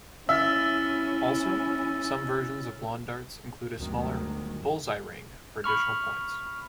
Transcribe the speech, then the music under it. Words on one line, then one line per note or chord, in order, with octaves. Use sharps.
Also, some versions of Lawn darts include a smaller "bulls-eye" ring for additional points.
C#4 E4 E5 E6 F6 A6
G1 D2 D#3 F#3 G#3
B5 C#6 F6